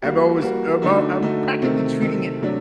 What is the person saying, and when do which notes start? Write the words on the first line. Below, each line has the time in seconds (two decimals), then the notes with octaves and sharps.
I'm always I'm all I'm practically treating it
0.02 G3 A#3 F#4
0.42 G3 A#3 F#4
0.82 D3 A3 D#4 F#4
1.22 D3 A3 D#4 F#4
1.62 C3 D#3 A3 C4
2.01 C3 D#3 A3 C4
2.42 C3 F#3 A3 D4